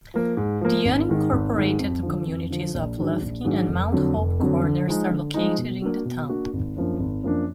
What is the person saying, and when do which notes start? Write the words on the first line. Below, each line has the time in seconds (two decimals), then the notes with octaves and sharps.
The unincorporated communities of Lufkin and Mount Hope Corners are located in the town.
0.14 F3 A#3
0.37 G#2
0.61 F3 A#3
0.85 G#1
1.09 G#2 D#3
1.32 G#1
1.56 G#2 D#3
1.79 F2
2.03 D3 F3
2.27 F2
2.50 D3 F3
2.74 A#1
2.98 G#2 D#3 F#3 D4
3.21 A#1
3.45 G#2 D#3 F#3 D4
3.69 F1
3.92 F2 D3 F#3
4.16 F1
4.40 F2 D3 F#3
4.63 D3
4.87 F3 G#3 D#4
5.10 D3
5.34 F3 G#3 D#4
5.58 B2
5.82 A#3 D4 F#4
6.05 B2
6.29 A#3 D4 F#4
6.53 G#1
6.76 F#2 F3 A#3 D4
7.00 G#1
7.23 F#2 F3 A#3 D4